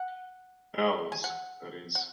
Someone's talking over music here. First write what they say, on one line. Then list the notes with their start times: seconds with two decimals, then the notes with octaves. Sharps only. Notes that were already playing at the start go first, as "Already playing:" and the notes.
Ours, that is.
Already playing: F#5
1.12 G#5
1.24 F#5
1.95 F#5